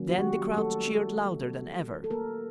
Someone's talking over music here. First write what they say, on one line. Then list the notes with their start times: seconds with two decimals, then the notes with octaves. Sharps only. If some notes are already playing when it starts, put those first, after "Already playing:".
Then the crowd cheered louder than ever.
Already playing: D#3 F#3 A#3 C#4
0.09 F#4
0.18 G3 G4
0.57 A3 A4
2.04 A4
2.11 A#3 A#4